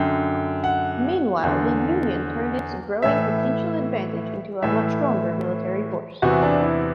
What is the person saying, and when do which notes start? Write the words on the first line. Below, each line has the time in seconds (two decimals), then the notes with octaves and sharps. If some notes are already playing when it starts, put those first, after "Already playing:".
Meanwhile, the Union turned its growing potential advantage into a much stronger military force.
Already playing: F#2 D3 G5
0.64 F#5
1.43 E2 D3
3.02 A2 E3 E5
4.63 A2 E3 E5
6.22 E2 C3 E3 F#4
6.42 D4
6.63 E4